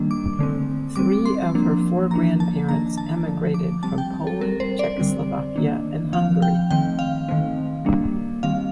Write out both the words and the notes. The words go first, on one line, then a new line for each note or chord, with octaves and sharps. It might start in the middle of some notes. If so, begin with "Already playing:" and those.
Three of her four grandparents emigrated from Poland, Czechoslovakia, and Hungary.
Already playing: D#3 G3 A#3 D4
D6
D3 A3 C4
G3 C4 D6
C6
F3 A#3 D4
F3 A#3 D4 A#5
A5
D#3 A#3 D4 A#5
A5
D3 F3 A3
D6
G3 C4 A5
G5
A4
G3 C4 A#4
C5
D5
D3 G3 C4
D#3 A#3 D4
F3 C4 F5
G5
D#3 A3 C4 G5
F5
D#3 A3 C4
G3 A#3 D4
D#3 G3 C4 F5